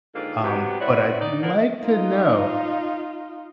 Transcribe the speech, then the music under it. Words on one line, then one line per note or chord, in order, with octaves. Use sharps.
um, but I'd like to know
G#2 D3 D#3 A#3 F4
C3 F#3 B3 G4
C4 E4 F#4 B4 C#5 D5
D#4 D5
F3 A#3 B3 A#4 D5
D#4 F4